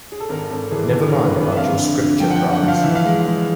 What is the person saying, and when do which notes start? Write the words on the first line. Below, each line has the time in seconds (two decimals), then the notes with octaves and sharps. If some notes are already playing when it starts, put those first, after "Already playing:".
Never mind about your Scripture prize.
0.12 G#4
0.20 A4
0.29 G#1 A#4
0.50 G#1 A4
0.71 E3 G#4
0.92 E3 A4
1.09 A#4
1.14 G2
1.25 B4
1.36 G#1
1.41 B4
1.52 E5
1.57 F2 F5
1.78 D3
1.99 D3
2.20 F3 G5
2.30 F#5
2.36 G5
2.41 D3
2.52 F#5
2.63 F3 F5
2.82 E3 E5
2.95 F5
3.05 G#3
3.27 G#3